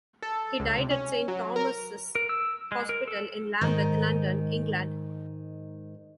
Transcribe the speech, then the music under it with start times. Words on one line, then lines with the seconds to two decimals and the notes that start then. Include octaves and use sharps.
He died at Saint Thomas's Hospital in Lambeth, London, England.
0.22 A4
0.60 C#2
0.78 C3
0.90 C#4
1.28 F#3
1.56 A#4
2.15 A#4
2.29 E6
2.72 G#3
2.89 A#4
3.08 A4
3.61 G#2 D#3 D#4